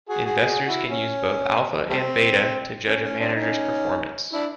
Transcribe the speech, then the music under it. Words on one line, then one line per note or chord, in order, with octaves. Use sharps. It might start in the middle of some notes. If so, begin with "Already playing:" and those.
Investors can use both alpha and beta to judge a manager's performance.
F#4 G#4
F#4 G#4
F#4 G#4
E4 F#4
C#4
G3 A3 C4
C#4
C#4
C4 D4
C#4 D#4
D4 E4